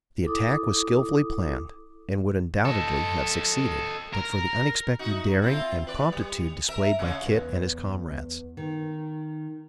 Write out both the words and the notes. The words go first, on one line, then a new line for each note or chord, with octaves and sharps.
The attack was skillfully planned and would undoubtedly have succeeded, but for the unexpected daring and promptitude displayed by Kit and his comrades.
E4 A4 D6 D#6
A4 D#5
A#4
D#4 F#4
C4 E4 F4
B4 D5
G3
A#4 E5
C#3 G#3 C#4
E2
D#3